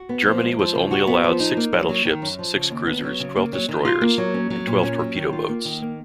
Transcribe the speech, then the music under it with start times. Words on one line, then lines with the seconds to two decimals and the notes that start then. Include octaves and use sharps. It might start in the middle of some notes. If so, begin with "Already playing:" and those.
Germany was only allowed six battleships, six cruisers, twelve destroyers, and twelve torpedo boats.
Already playing: F#4
0.09 B3
0.26 F3
0.42 G#3
0.59 F3
0.75 C#3
0.91 F#4
1.07 B3
1.24 F3
1.40 D#4
1.57 A#3
1.73 F#3
1.89 F#3
2.05 D#3
2.22 F#2
2.39 F3
2.54 C#3
2.71 D#2
2.87 B3
3.04 F#3
3.20 C#3
3.36 A#3
3.53 F#3
3.69 D#3
3.85 F4
4.01 A#3
4.18 F#3
4.34 C#4
4.50 F#3
4.67 A#2
4.83 C#4
4.99 F#3
5.16 D#3
5.33 F4
5.49 A#3
5.65 D#3
5.82 A#3